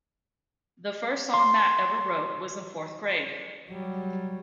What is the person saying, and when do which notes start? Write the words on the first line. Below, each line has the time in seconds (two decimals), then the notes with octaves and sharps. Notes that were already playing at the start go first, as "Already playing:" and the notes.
The first song Matt ever wrote was in fourth grade.
1.34 C6
3.70 F#3 G3